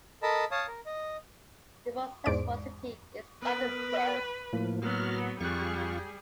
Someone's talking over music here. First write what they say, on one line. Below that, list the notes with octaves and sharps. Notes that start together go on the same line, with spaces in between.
The most successful city is Gothenburg.
A4 A#4 D#5 A5 B5
C#5 F5 A5 D#6
A#4
D#5
E2 G#2 G#3 C5 D5 D7
B3 A#4 B4
A2 F3 A#3
F#3 B3 F#4 F6
F2 G3 F4 G#4 C#6 F#6